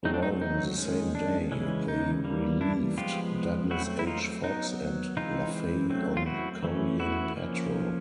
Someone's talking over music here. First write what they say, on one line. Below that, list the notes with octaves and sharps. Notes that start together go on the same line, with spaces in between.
Arriving the same day, they relieved "Douglas H. Fox" and "Laffey" on Korean patrol.
F#3 A3 C4 D#4
D4
D#4
D#4
D#3 G#3 C#4
D4
C#3 E3 G#3 C#4
D#4
E3 G3 A#3
D4 E4
F3 G#3 B3 F4 G4
F#3 A3 C4 E4 F#4
E4
D#4 F4
F#3 B3 D#4
E3 G#3 C4 D#4 F4
F#3 A3 C4
F4
E4 F#4
E3 A3 C#4
E4 F#4
F3 A#3 C#4